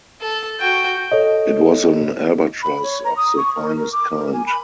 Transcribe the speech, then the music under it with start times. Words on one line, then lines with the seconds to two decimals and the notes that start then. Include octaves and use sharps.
It was an albatross of the finest kind.
0.21 A4
0.60 F#4 G5
1.12 A4 C#5 D#5
2.62 B5
2.83 C#5
3.04 A#5
3.17 D#6
3.37 C#6
3.56 A#4
3.76 A#4
3.92 D6
4.17 A#4
4.33 G#5
4.47 B5